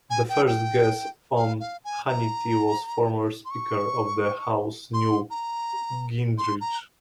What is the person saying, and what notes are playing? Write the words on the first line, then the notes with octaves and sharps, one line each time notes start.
The first guest on "Hannity" was former Speaker of the House Newt Gingrich.
G#5
G5
G5
F5
F5
G#5
A#5
C6
C#6
C6
A#5
C6
A#5